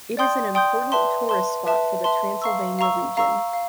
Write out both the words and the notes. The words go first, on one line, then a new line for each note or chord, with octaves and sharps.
It is an important tourist spot for the Transylvania region.
D5 G5 C6 D#6 G6
D5 G5 C6 D#6 G6
B4 E5 A5 C6
B4 E5 A5 C6
B4 E5 A5 C6
B4 E5 A5 C6
F5 A#5 C#6 E6
F5 A#5 C#6 E6
F5 A#5 C#6 E6
F5